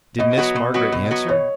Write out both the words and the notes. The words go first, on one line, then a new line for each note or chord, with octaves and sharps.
"Did Miss Margaret answer?"
B2 D#5
F#3 B3 F#4
B2
F#3 B3 F#4
B2
F#3 B3 F#4
B2 C#5